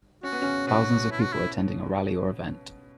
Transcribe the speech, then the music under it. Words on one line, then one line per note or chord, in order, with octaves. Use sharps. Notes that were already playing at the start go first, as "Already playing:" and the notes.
Thousands of people attending a rally or event.
C#4 F#4
B3
C#3 C#4
B2 B3 F#4
E4
F#4
E4